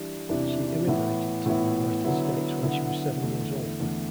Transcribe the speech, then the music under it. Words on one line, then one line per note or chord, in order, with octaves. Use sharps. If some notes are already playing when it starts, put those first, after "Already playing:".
She immigrated to the United States when she was seven years old.
Already playing: E3 G3 D4
E2 C3 E3 G3 D4
A2 E3 B3 E4
A2 E3 B3 E4
D3 F#3 B3 E4
D3 F#3 B3 E4
E2 D3 A3 E4
E2 D3 A3 E4